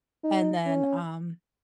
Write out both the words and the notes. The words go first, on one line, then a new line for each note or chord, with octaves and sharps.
and then, um,
D#4
C#4